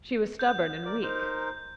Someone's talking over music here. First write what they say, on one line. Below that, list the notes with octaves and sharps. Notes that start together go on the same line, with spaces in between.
She was stubborn and weak.
G6
A#4 D5 D6
D#4 A#4 C5